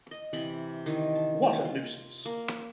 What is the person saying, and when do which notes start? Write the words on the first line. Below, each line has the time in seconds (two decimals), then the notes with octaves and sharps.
What a nuisance!
0.11 D#5
0.33 C3 E3 D5 B5
0.86 D#3 E3
1.15 A5
1.65 F4
2.25 A#3